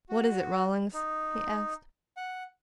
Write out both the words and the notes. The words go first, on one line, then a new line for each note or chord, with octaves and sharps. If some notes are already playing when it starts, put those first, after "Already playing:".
"What is it, Rawlins?" he asked.
F#4
D#4
F#5